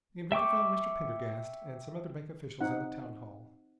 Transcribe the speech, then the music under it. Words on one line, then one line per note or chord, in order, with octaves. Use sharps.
The inventor found Mr. Pendergast, and some other bank officials in the town hall.
E5 G5 C#6 D6
C4 D#4 F#5